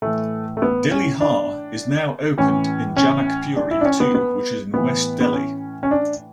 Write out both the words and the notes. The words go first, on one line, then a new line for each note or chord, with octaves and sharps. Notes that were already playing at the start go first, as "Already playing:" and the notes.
Dilli Haat is now opened in Janak Puri too which is in West Delhi.
A2 E3 A3
A3
B3
C#4
D4
A2 E3 C#4
C#4
D4
E4
D4
C#4
B3
B3
A2 E3 B3
B3
C#4
C#4
D4